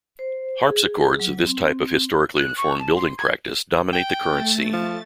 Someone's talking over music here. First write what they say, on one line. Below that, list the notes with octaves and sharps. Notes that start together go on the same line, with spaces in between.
Harpsichords of this type of historically informed building practice dominate the current scene.
C5
G#4
F#3
C4
F#6
C#6
A5
C6
G#6
G5
A3 A6
F3